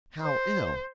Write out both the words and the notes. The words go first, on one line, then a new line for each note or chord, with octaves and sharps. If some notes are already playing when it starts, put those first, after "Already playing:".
"How ill?"
C5